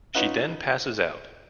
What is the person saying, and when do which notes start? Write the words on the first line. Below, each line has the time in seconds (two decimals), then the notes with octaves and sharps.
She then passes out.
0.15 C#4 D#4 F4 B4 D#5 F#5